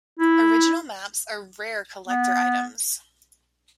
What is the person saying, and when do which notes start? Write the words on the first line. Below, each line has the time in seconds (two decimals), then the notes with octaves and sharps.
Original maps are rare collector items.
0.19 E4
2.08 B3